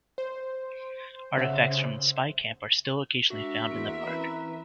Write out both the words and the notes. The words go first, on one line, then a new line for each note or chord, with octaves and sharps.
Artifacts from the spy camp are still occasionally found in the park.
C5
C#3 C#5 E5 F#5
G#3 D4 F#4 A#4 E5
E2 A#3 B3 C6
E3 C4 C#4 B4 A#5